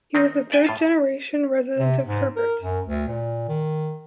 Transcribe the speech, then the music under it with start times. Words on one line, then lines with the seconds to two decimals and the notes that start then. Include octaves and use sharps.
He was a third generation resident of Herbert.
0.15 D#3 C4 D#4
0.52 D5 E5 G5 G#5
0.65 A2 F4 A5
1.78 C3
2.06 G#2
2.36 A#4
2.62 F#2
2.87 D2
3.08 A#2
3.49 D#3